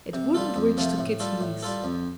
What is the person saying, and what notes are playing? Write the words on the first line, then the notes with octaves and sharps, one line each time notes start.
It wouldn't reach to Kit's knees.
C3
G3 F4 A4
F2
C3 F3 A3 F4
A2
G3 F4 A4
A2
G3 F4 A4
F2